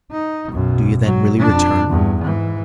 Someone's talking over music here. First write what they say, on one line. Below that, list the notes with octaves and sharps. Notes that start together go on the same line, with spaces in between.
"Do you, then, really return?"
D#4
B1 F#2
F#3
F2 D4
E2 G2
G#2 E3